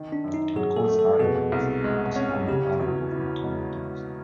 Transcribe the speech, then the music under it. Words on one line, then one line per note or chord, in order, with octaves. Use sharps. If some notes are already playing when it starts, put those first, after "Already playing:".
It caused high winds and spawned an outbreak of weak tornadoes.
Already playing: D#3
D4
F#2
D#4
F#3 G#4
A4
A3
A4
B2 G#4
C2
G#3
C#4
C#3 G4
E2 F#4
E3
G#3